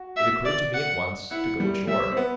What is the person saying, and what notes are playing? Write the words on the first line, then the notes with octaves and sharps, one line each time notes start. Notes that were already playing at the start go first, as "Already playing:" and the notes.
It occurred to me at once to go ashore.
Already playing: F#4
E5
D5
F#5
E4 F#5
G3
G3 E5
C4
B3